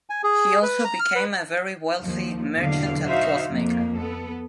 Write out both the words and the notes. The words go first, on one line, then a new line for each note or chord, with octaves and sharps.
He also became a very wealthy merchant and clothmaker.
G#5
G#4
B4
A#5
F6
B4
D#2 F3
E2 B2 D3 F#3 F5
D#4 F#4 C5 E5 F5
F2 A#3
B3 A4